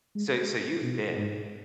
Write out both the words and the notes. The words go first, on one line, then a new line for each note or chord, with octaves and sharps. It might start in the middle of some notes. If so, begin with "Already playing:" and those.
so so you've been
G#3
B2
G#2